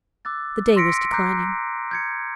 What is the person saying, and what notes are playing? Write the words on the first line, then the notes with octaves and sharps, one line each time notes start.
The day was declining.
D6 E6 F#6 A6
C6 E6 A#6 B6 C#7 D7
A#5 D6 E6 F#6 G6 C7
G6 G#6 C#7